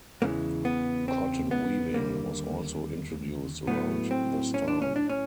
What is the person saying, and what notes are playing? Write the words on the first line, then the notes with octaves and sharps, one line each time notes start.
Cotton weaving was also introduced around this time.
E2 C#3 E3 G#3 A#3
B3
C4
B3
D#2 D3 G3 A#3
A2 F#3 A3 B3
C4
C#4
D4
C#4
D4
C#4